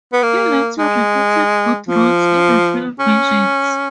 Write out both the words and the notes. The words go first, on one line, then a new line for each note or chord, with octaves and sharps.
He later repeated both roles in the film versions.
B3
A#3
G#3
F3
C#4